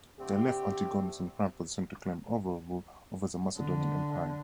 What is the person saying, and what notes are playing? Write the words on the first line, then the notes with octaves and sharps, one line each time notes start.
This left Antigonus in prime position to claim overall rule over the Macedonian empire.
D3 A3 C4 G4
D3